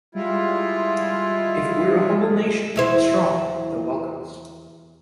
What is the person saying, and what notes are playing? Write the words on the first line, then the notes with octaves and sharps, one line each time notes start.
If we're a humble nation, but strong, they'll welcome us.
G3 G#3 E4 F4
E2 E4 C5